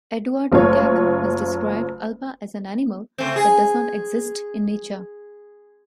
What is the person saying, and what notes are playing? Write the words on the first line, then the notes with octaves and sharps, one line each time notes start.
Eduardo Kac has described Alba as an animal that does not exist in nature.
F#1 A3 F4 C#5
C#3 A3 C4
G#4